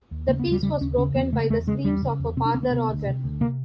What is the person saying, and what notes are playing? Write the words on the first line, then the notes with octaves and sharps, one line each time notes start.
The peace was broken by the screams of a parlor organ.
D#2
C#3 A#3
B3
D#2
G3
C#3 G3
D#2 C#4
C#3 C#4
E2 B3
C#3 A3
A#3
E2 A3
C#3 G#3
E2 G3
C#3
E2
C3 C4
D4
D2 C4
B3
C3
D2
C3
D2
C3 A#3